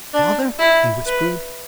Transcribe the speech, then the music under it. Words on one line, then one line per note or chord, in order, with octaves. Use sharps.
"Father!" he whispered.
D4
E4
B4